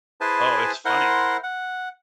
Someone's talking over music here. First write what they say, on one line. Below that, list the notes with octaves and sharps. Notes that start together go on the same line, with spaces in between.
Oh, it's funnier.
E4 G#4 B4 C5 G#5 A5
E4 A#4 C5 F#5 C6
F#5